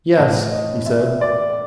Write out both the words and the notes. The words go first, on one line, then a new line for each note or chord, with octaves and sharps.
"Yes," he said.
A2 E3 A5
D#5
E5
D5